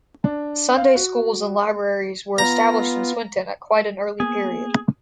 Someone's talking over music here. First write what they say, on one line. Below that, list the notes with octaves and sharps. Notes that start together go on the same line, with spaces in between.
Sunday schools and libraries were established in Swinton at quite an early period.
D4
F5
F#4
B3 F4 A#5
A#3 B3 G#4